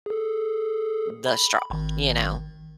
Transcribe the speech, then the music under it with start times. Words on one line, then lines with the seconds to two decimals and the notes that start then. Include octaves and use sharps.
the straw, you know?
0.06 G#4 A4
1.26 B5
1.70 G#1 D#3